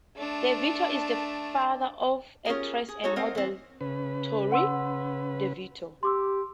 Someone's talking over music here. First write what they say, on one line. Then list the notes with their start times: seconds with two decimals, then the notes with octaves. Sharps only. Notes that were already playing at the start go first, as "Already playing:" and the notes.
DeVitto is the father of actress and model Torrey DeVitto.
0.17 A3 D4
2.45 C#4 F4 G4 G#4 A#4
2.89 G#4
3.04 D#4 F#4 G#4 A4 C#5
3.16 C4 A#4 C5 D#5 F5 F#5
3.35 E3 C4
3.81 C#3 B4
4.52 F#5 C6 E6
6.03 G4 C6 D6 E6